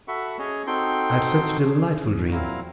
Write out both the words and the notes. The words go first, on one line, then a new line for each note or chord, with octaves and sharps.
I had such a delightful dream.
F#4 A4 E5 F#5 B5 C#6
C#4 G#4 C#5 D#5
C4 D#4 F#4 A4 G5 C6
C#4 G#4
A#2 F#3 C4 E4 F5 A#5